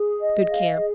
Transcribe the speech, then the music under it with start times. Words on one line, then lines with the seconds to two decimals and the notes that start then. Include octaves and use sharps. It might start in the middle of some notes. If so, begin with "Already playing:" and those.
Good Camp.
Already playing: G#4
0.20 D#5
0.48 F5
0.76 G#4